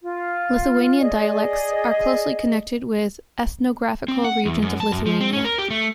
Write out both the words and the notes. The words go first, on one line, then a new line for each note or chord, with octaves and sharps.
Lithuanian dialects are closely connected with ethnographical regions of Lithuania.
F4
G#4 D5 D#5
C4
F#5
E2
F#2
A5
F#2
F3
C4
C#4
A#4
G4
A3